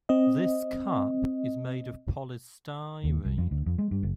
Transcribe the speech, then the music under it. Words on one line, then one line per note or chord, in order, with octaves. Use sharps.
This cup is made of polystyrene.
C4 D#5
D#2
C2
F2
D2
F2
G#3
G2
F#1